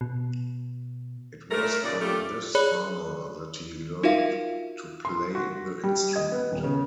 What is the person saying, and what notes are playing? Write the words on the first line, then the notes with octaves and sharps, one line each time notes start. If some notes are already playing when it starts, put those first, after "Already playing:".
It was from this farmer that he learned to play the instrument.
B2
A3 A#4
D#2 A#2 C#3 D5
G3 A3 C#4 F4 G4
G#4 C#5 D5 B5 F#6
D#4 F4 F#4 A#4 E5 F5
C6
F#4
G3
D#5
B3
D#1
C#3